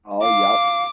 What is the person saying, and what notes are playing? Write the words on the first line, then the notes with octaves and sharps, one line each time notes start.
Oh, yep.
F5 D6